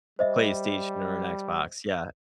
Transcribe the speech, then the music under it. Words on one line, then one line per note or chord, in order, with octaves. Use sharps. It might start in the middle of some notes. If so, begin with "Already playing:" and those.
A PlayStation or an Xbox, yeah.
G3 C5 D#5 E5